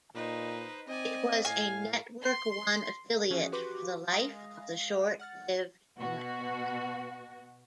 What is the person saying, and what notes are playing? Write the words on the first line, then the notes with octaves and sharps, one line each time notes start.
It was a Network One affiliate for the life of the short-lived network.
A#2 D#4 B4 C5
C4 D5 D#5 G#5
A2 F5 G#5
C6
E3 F3 C#4 F#4 G#4
F#4 G4 B4 C6 D6
G#3 F5 D#6 A#6
F#5 F6 A6
B2 F#4